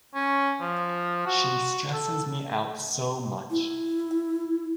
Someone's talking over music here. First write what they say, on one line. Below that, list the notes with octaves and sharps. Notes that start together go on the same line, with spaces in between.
She stresses me out so much!
C#4
F3
F#4
A4
E4